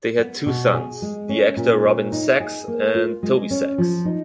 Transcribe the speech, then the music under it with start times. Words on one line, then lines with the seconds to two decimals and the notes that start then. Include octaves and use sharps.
They had two sons, the actor Robin Sachs and Toby Sachs.
0.18 B3
0.46 B2
0.74 G#4
1.02 G#3
1.29 C#4
1.57 A#2
1.85 C#5
2.12 D#4
2.40 G#4
2.68 A#3
2.95 F4
3.23 G#3
3.51 C#4
3.78 F3
4.05 D#4